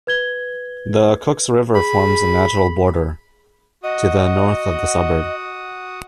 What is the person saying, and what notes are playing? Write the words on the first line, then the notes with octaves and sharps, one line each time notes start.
The Cooks River forms a natural border, to the north of the suburb.
B4 G#6 G7
G#4 B5
F#4 D#5 F#5 D#6